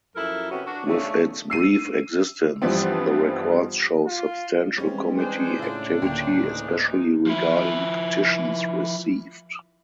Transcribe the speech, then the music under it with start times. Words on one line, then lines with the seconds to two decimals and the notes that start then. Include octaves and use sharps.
With its brief existence, the records show substantial committee activity, especially regarding petitions received.
0.16 F#2 F3 E4 A4 A#4
0.52 C3 B3 C#4 F#4
0.66 D4 F#4
0.87 C#3 A3 D4 D#4 C#5
1.50 E6 C7 D#7
2.62 G2 E3 F3 G3 B3 C4
4.07 F4
4.78 E3 G3 G#3 C4 C#4
5.16 D4 G#4 C5
5.59 A2 C#3 E4 F4
6.02 D2 E3 A#3 G5
6.40 G#2 E3 D#4
7.26 F3 E4